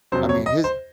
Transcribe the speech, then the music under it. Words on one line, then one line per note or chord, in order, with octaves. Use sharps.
I mean, his
F2 C3 F#3 C5
C#5
D#5
C5